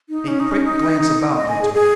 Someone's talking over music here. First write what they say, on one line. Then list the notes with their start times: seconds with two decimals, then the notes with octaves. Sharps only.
A quick glance about they took.
0.09 D#4
0.28 C#4
0.40 D#4
0.51 C#4
0.64 D#4
1.00 D#4
1.36 D#5
1.49 G#5
1.61 G#4
1.73 G#4